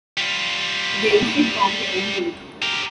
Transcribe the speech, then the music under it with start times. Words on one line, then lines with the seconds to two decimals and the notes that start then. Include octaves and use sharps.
They instead formed their own group.
0.17 G3 F4
2.62 G4 A#4